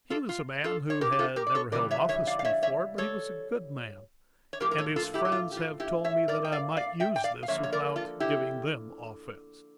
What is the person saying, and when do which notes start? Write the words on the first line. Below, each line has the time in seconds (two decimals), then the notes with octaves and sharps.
He was a man who had never held office before; but he was a good man, and his friends have told me that I might use this without giving them offense.
0.10 F4 A4
0.29 F4
0.64 F4 A4
0.90 C#5
1.01 G4 A#4
1.12 G4
1.19 F4 A4
1.36 G4 A#4
1.47 D5
1.55 A4 C#5
1.72 C#3 E3 G3 A#4 D5
1.91 C#5 E5
2.09 C#5 E5
2.27 D5 F5
2.39 F5
2.45 C#5 E5
2.63 C#5 E5
2.98 A4 C#5
4.53 C#5
4.60 A2 F3 A#3 G4 A#4
4.71 A#4
4.78 A4 C#5
4.96 F4 A4
5.14 E4 G4
5.25 G4
5.32 F4
5.52 G4
5.57 F4
5.80 E4 G4
6.04 C#5 E5
6.28 A#4 D5
6.45 G5
6.52 D5 F5
6.77 D5 F5
7.00 E5 G5
7.16 G5
7.24 D5 F5
7.43 F5
7.48 D3 F3 A#3 C#5 E5
7.63 C#5
7.73 A#4 D5
7.96 F4 A4
8.20 E4 G4